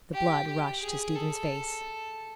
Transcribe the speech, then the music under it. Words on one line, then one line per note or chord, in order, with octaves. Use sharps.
The blood rushed to Stephen's face.
G4
G4
G#4
A4